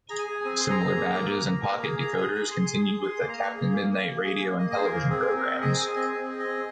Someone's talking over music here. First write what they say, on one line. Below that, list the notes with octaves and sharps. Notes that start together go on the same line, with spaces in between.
Similar badges and pocket decoders continued with the "Captain Midnight" radio and television programs.
G#4 A#5
G#5
G#4
C4 G#5
G#4 C6
A#5
G#4
A#3
A#3
A#3
A#3
A#3
G#4
G#4 A#5
G#4 D#6
G#4 D#6
G#4 C6
G#4
D#6
G#4
G#4 C6
A#3
A#5
A#3
G#4
A#3
A#3
A#3
G#4
A#3
A#3 D#5
D#5
G#4 C5
A#4
A#3
C4 G#4
C4
A#4
C4
G#4 D#5
G#4 G#5
C4 D#5
C4
G#4
D#5
C4